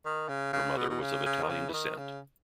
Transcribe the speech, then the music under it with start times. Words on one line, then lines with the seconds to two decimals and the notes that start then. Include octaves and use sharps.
Her mother was of Italian descent.
0.05 D#3
0.29 C#3
0.53 C#3
0.77 B2
0.90 B2
1.01 C#3
1.25 C#3
1.43 D#3
1.49 C#3
1.69 E3
1.73 D#3
1.98 C#3